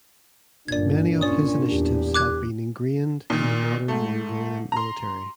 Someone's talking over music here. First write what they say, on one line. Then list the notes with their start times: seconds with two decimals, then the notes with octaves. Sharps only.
Many of his initiatives have been engrained in the modern Mongolian military.
0.68 G1 A#2 D4 D5 G#6
1.21 C#4 F4 D5 D#6
1.70 E2 G4
2.14 D6 F#6 G#6
3.30 A#2 D#3
3.88 G#2 A3
4.72 A#5 C6